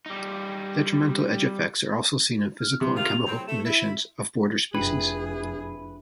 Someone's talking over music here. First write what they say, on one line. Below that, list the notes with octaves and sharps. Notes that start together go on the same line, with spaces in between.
Detrimental edge effects are also seen in physical and chemical conditions of border species.
G3 D#4
F6
C3 C6
D#3 F4 F7
A2 F#3 C4
A3 E7
E4 E5
F1 D4 E4 G#4 B4